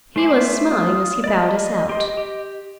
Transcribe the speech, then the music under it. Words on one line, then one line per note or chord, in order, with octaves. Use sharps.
He was smiling as he bowed us out.
A3 C5 G#5 D6
E5
F4 D#6
D5 D#5 B5
G4 C6
G4